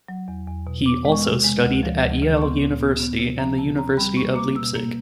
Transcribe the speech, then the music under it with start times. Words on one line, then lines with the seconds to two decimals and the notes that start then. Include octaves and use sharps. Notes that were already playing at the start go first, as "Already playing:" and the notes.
He also studied at Yale University and the University of Leipzig.
0.08 F#3
0.28 E2
0.47 E2
0.67 B2
0.86 B3 D6
1.05 G#3
1.12 C#6
1.25 C3
1.44 G#3
1.64 D2
1.83 F3
2.02 D2
2.22 C#3
2.37 C#6
2.41 B3 C6
2.61 A#2
2.81 B3
3.00 B3
3.19 C3
3.39 F3 A#5
3.58 C3 A5
3.78 C4 A#5
3.97 G3 B5
4.16 A#3 C#6
4.35 A#3 D6
4.56 B2 E6
4.75 A#3